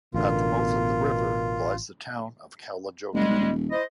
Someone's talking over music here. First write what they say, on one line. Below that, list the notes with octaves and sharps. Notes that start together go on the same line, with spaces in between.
At the mouth of the river, lies the town of Kalajoki.
A1 B2 D3 F4 A#4
F#1 G3 G#3
B1
D#1
E4 C5 D#5